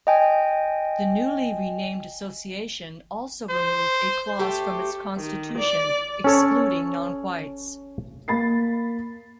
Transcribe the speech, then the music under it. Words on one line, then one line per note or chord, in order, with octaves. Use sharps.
The newly renamed association also removed a clause from its constitution excluding non-whites.
D#5 G5 G#5
C5
A3 G4
D#3
D5
C#4 A4 C#5
A#3 B5 A6 C7